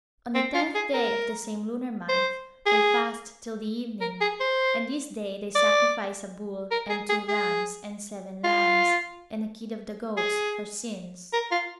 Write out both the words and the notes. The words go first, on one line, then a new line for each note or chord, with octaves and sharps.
On the tenth day of the same lunar month, they fast till the evening; and this day they sacrifice a bull, and two rams, and seven lambs, and a kid of the goats, for sins.
C4
F4
G#4
A#4
C5
G#4
A#4
G#4
C5
D5
A#4
G#4
G#4
G#4
F4
G#4
A#4
F4